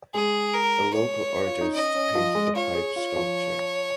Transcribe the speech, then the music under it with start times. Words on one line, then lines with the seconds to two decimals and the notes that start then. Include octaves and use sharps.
A local artist painted the pipe sculpture.
0.14 G#3 G#4
0.54 A#4
0.94 C#5
1.46 F4
1.61 D#4
1.75 C#4 D#5
1.95 C#4
2.15 F3
2.35 G#3
2.56 F4 C#5
2.75 G#4
2.96 F4
3.16 F3